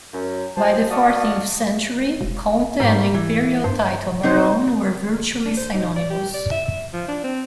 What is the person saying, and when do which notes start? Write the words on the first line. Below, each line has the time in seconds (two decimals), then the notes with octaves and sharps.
By the fourteenth century, "conte" and the Imperial title "barone" were virtually synonymous.
0.13 F#2
0.56 G#2 F3 G4 C5 A5
0.91 F#4 D5 F5 A5 C#6 D#6
2.21 E1
2.80 G#2 G3 A#3
3.14 E3
3.64 G2 C5
4.23 C4 D#4 C5
5.45 D4
5.57 C5
5.73 D#4
5.96 D5
6.10 G4
6.33 D5
6.51 E5
6.65 E5
6.93 F3
7.08 D4
7.24 C4